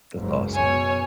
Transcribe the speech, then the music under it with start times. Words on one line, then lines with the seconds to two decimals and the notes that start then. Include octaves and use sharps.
That's awesome.
0.15 F#1 C#2 G#2
0.53 F#2 B2 C#5 G#5